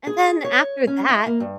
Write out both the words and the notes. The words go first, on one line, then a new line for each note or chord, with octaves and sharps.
And then, after that
G#4
C#5
C#4
E4
A#3
G2